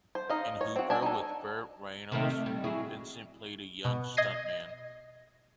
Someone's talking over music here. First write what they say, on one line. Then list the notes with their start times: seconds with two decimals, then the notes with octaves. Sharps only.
In "Hooper" with Burt Reynolds, Vincent played a young stuntman.
0.15 C5
0.29 D#4 D#5 F5
0.61 C#5
0.76 C4 F#4
0.90 D4 G#5
1.02 D#4 A4
2.12 C3 D#3 A3
2.30 A3
2.46 G3
2.64 F#3 E4 G#4
3.85 B2
4.17 D#5 G#6 A#6 C7 D#7